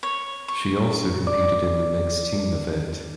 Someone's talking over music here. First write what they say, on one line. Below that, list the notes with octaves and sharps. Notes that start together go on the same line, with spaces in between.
She also competed in the mixed team event.
C#5
C#6
D5 D6